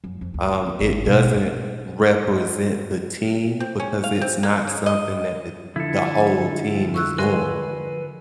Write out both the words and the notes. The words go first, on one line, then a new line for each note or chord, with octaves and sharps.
Um, it doesn't represent the team because it's not something that th the whole team is doing.
F#2
F2
D2
G#1
B2
C4
C4
C#4
F5
C4
A#3
C#3
D#5
D3 F3 E4 A4
C#6 E6 F#6
A#4 B4 G#5 C6